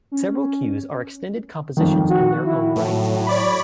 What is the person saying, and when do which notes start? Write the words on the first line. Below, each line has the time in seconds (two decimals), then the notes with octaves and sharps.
Several cues are extended compositions in their own right.
0.12 C#4
1.77 F2 D#3
2.10 F#4
2.46 E4
2.76 A2 F#3
3.27 C#5 D5 B5